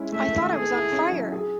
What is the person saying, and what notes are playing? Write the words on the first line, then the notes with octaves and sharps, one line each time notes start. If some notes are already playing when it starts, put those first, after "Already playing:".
I thought I was on fire!
Already playing: G#3 C#4 E4
A3 E5
D#3
G#4 A4
E4
C#4
F#3
G#4